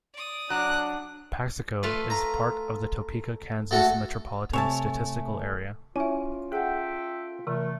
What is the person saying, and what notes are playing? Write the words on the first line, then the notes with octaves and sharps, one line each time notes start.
Paxico is part of the Topeka, Kansas Metropolitan Statistical Area.
D5 D#6
F#3 D4 F#6
A3 F4 B4
A#5
A3 F#4 A4
C3 A3 C#5 E5 G#5 A5
C#4 E4 F4 E5
G#4 A4 E5 F#5 G5
C3 E3 A3 A#4